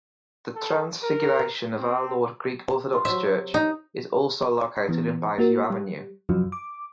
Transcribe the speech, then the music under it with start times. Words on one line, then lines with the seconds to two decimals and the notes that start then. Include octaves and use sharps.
The Transfiguration of Our Lord Greek Orthodox Church is also located in Bayview Avenue.
0.55 A4
1.03 A#4
1.78 C4
2.92 F4
3.05 C3 F#3 E5
3.54 D#4
4.89 E3 B3
5.38 A#3 F#4 A#4
5.70 G3
6.29 F#2 C3 F3 F#3
6.52 D6